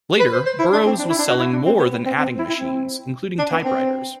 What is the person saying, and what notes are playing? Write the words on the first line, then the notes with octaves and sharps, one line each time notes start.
Later, Burroughs was selling more than adding machines, including typewriters.
B4
C5
C5
E4
D4
C4
D4
E4
D4
F#4
E4
D4
C4
B3
B3
C4
C4
E4
E4
C4
D4
B3
C4